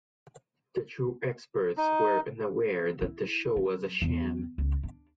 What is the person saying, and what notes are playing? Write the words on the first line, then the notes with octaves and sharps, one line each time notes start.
The true experts were unaware that the show was a sham.
D#4
E4
F#3
E2
C#2
D4